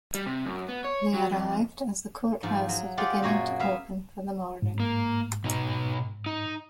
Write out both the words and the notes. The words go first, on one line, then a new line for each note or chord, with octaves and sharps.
They arrived as the courthouse was beginning to open for the morning.
G3
C3
F#2
B3
C#5
F#3
F2
G#2 F3
F#3
F4 G4 G#4 D5 F5 F#5
F#2 A#2 A#3 F#4 C#5 G#5
B3 E5 F5
G#2
A#3
B2 D#4
D#4